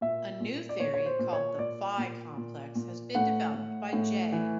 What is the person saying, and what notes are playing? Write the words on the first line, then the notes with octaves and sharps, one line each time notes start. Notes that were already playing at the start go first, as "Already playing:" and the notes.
A new theory called the phi complex has been developed by J.
A#2 E5
A#2
D5
A#2 C#5
C#5
C5
A#2
C#5
A#2 D5
A#2
A#2
A#2
A2 F#5
A2
A2
E3